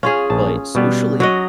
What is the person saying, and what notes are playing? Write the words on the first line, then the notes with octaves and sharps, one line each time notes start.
but socially,
C#4 F4 G#4 F5
A#1 A5
B2 G3 B3
F#3 F#4 D#5